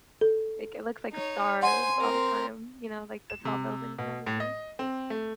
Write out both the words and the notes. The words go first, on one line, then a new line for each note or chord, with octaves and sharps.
like, it looks like stars all the time, you know, like the tall buildings and everything,
A4
D#4 C#5
C5 F#5 G#5 C6
C4 A#4
E7
C3
B2
A2
D#5
C4
A3